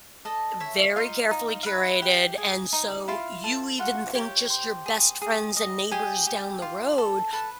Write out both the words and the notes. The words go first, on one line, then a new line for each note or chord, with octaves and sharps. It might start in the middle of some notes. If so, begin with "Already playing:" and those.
very carefully curated, and so you even think just your best friends and neighbors down the road
A4 D#5
C#5 E5
D#4 F4 F5
D#4
F5
B4 E5
G4
G#4
D#4
E4 F4 F5
A4
F4 F#4 F#5
G4 C#5 G5
C5
G#4
G#4
D#5
G4 G#4 G#5
G4
F4
A4
A4 B4 A5